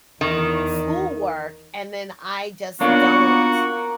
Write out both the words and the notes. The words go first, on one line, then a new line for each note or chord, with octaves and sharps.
schoolwork and then I just don't
E2 D#3
A#3 B3 C#4 D4 F4 F#4 C#6